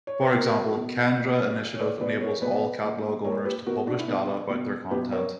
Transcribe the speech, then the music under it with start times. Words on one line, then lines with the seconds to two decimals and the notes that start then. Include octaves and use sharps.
For example Kendra Initiative enables all catalogue owners to publish data about their content.
0.07 C#5
0.21 B4
0.35 B2 F#4 A#4
0.76 B2
1.18 A#2
1.59 A#2
1.76 C#5
1.80 B4 D5
2.00 B2 B4 D5
2.21 A#4 C#5
2.42 B2 B4 D5
2.84 A#2
3.25 A#2 A#4 C#5
3.45 G4 B4
3.66 B2 F#4 A#4
3.87 D4 F#4
3.99 E4
4.08 B2 B3 D4
4.50 B2
4.91 B2 G4 B4
5.12 A#4 C#5